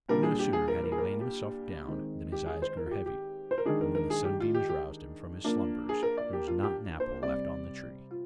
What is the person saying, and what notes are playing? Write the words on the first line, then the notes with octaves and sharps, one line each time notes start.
But no sooner had he lain himself down than his eyes grew heavy, and when the sunbeams roused him from his slumbers there was not an apple left on the tree.
A#2 G3 D4 A#4
G#4
G4
G#4
A#4
A#4
G#4
A#4
G4
D#3 G#3 C4
G4
G#4
C5
A#4
F4
G4
G4
C5
A#4
D#3 G#3 D4 G#4
A#4
A#4
G#4
G4
F4
G4
G4
F3 A#3 D4
G#4
A#4
D5
G4
F4
G4
C5
C3 G3 C4 D5
F4